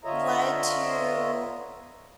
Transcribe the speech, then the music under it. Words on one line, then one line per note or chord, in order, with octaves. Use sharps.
led to
D3 F4 C#5 D#5 E5 A#5